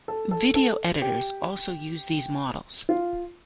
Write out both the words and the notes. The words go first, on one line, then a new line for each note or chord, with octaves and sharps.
Video editors also use these models.
A4
A4
A4
G4
F4